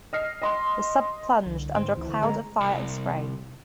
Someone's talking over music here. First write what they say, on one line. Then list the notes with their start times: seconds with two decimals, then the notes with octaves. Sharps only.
The sub plunged, under a cloud of fire and spray.
0.13 D#5 F6 C7
0.42 D#5 C6
1.46 C2 D3
1.75 G#2 C4
1.97 D2 E3 E4
2.09 D3
2.23 G#3 B3 A#5 C#6
2.61 C2